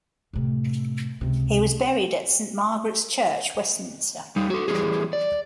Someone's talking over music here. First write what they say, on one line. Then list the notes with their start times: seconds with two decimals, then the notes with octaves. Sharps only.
He was buried at Saint Margaret's Church, Westminster.
0.33 A2 C3
1.21 C#2 C3
4.36 G3 D#4
4.50 F#4 A4
4.68 E3 G3 C#4 F4 G#4
5.13 D5